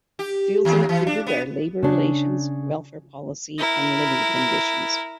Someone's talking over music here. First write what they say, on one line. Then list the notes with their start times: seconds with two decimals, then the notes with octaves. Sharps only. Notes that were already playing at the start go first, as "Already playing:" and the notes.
Fields included are labour relations, welfare policy, and living conditions.
0.19 G4
0.65 D#2
0.89 E3
1.07 D4
1.27 B3
1.83 C#3 D4
3.58 E4 A#4